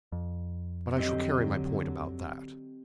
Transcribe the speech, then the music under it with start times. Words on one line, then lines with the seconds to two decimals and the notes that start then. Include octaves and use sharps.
But I shall carry my point about that.
0.12 F2
0.97 D3 F#3 C4 G4 D#5